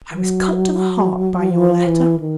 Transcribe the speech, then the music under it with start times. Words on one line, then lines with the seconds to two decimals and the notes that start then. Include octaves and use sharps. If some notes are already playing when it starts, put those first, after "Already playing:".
I was cut to the heart by your letter.
0.13 F#3
1.51 F3
1.86 E3
2.20 D#3